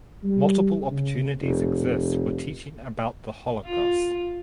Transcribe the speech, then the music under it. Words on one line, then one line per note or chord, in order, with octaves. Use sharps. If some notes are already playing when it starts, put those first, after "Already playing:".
Multiple opportunities exist for teaching about the Holocaust.
G3
C#3
F1
F4